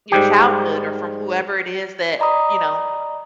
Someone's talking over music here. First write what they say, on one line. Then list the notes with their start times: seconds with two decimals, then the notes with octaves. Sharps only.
your childhood or from whoever it is that, you know,
0.12 G#2 G3 G4
2.19 D5 D#5 A#5 B5 D#6